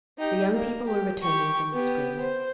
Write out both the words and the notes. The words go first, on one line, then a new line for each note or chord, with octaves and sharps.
The young people were returning from the spring.
D#4 G4
A#3
G4
G4 C#6
B3 G4
C5